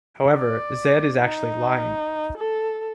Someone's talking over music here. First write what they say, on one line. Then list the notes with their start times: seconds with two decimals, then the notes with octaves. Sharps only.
However, Zedd is actually lying.
0.36 D5
1.19 D#4
2.38 A4